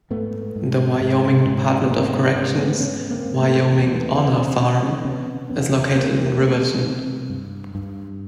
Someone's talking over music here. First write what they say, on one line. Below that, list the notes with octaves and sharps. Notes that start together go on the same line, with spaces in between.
The Wyoming Department of Corrections Wyoming Honor Farm is located in Riverton.
G#2 A3 B3
G#2
G#2
G#2
B3
G#2 A#3 C4
B3 C#4
G#2 B3 C#4
A3 B3
G#2 B3 C#4
A#3 C4
G#2
A3 B3
E2 A#3 C4
A3 B3
E2 B3 C#4
C4 D4
C3 B3 C#4
C3 B3 C#4
E2 B3 C#4
E2 A#3 C4
C3 A3 B3
C3
G2
G2